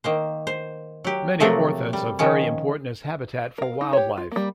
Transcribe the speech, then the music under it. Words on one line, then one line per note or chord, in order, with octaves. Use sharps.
Many orthents are very important as habitat for wildlife.
D#3 A#3 C5
C5
F#3 G4
C3 F3 F#3 A3 A#3 C4
G3
D#3 F3 C#4
A#4 F5
D#4
G4 C#5
F4
G3 A#3